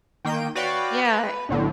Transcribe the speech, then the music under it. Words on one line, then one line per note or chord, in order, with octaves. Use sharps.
Yeah, eh
D#3 A#3 G5 G6 D#7
F#4 B4 C#5 D5 F5 G5
B4
B1 A2 D3